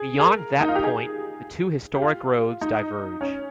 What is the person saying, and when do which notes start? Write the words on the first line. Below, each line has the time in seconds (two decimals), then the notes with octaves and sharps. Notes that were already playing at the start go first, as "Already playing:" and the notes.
Beyond that point, the two historic roads diverge.
Already playing: G#4
0.19 G#4
0.24 A#4
0.61 D#4
0.68 F4
0.75 G4
0.84 G#4
1.96 G4
2.02 F4
2.61 D#4
3.21 C#4